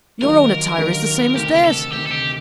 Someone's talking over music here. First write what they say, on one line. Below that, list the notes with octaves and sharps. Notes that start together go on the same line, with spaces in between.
Your own attire is the same as theirs.
D#2 D#3 F#3 A#3 D#4 A#4
D#2 D#3 F#3 A#3 D#4
D2 C3 D#3 G4
A4
D2 C3 D#3 G4
A4
G4